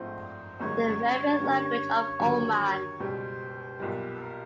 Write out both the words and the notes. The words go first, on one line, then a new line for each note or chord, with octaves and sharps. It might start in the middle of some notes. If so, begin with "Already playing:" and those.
"The Mehri Language of Oman".
Already playing: A#1 G#2 F3 A3 C4 C5
G1 F#2 D#3 G#3 C#4 C#5
G2 D3 G3 A#3 C#4
D#2 D3 F#3 A#3
C#2 B2 G3 C5
B1 A#2 G3 B4
A4
A#4